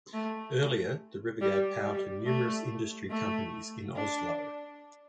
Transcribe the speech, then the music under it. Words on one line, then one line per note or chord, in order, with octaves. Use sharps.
Earlier, the river gave power to numerous industry companies in Oslo.
A3
G3
G3
A3
A3
D4